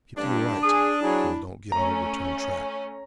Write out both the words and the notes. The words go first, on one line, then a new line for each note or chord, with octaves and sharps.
Keep to your right so you don't get on the return track.
A1 G2 D4
G#4 D#6
F#3 E4 G#4
A3 C#4 A#5